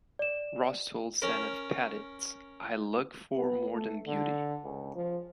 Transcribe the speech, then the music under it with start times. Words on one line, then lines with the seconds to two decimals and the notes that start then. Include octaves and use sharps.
Rolston said of Patitz: I look for more than beauty.
0.19 D5 E7
1.22 C#4 A#4
3.36 B3
3.73 A3
4.07 D3
4.64 C#2
4.96 F3